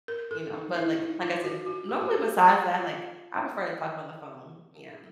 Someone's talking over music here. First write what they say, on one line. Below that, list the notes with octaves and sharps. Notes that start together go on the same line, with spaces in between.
you know. But, like like I said, normally, besides that, like, I prefer to talk on the phone, yeah.
A#4
A4
D#4
E4
D#4
F4
F#4
F#4
G4
F#4
G4
F4